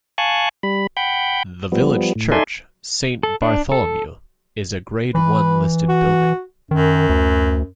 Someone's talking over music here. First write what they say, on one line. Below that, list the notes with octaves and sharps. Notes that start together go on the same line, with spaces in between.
The village church, Saint Bartholomew, is a grade one listed building.
F5 G#5 A5 C#6 F#6
G3 B5
F#5 G5 B5 G6
F3 G3 B3
A2
D#4 A4 D5 E5 G#5 C6
A4
D4
A4
E3 B4
F#4
F#2 D#3
D2